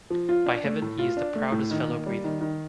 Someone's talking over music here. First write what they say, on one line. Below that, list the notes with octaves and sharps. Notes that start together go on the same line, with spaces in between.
By heaven, he is the proudest fellow breathing.
F3
F4
D4
A3
A2
F4
D4
A3
A2
D#3
A#3
G3
D#3
D#3